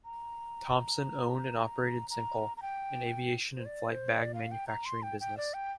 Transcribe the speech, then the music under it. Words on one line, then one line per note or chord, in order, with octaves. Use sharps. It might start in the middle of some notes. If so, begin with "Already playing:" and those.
Thompson owned and operated Cencal, an aviation and flight bag manufacturing business.
A#5
A#5
A#5
G5
C5
D5
C5
D5
F5
G5
A#5
C6
G5
G5
D5
G5